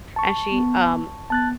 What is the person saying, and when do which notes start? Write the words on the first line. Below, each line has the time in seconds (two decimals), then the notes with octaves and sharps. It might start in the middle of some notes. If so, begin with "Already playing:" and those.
and she, um,
0.16 A5 C#6
0.51 B3
1.30 B3 A5 F#6 A6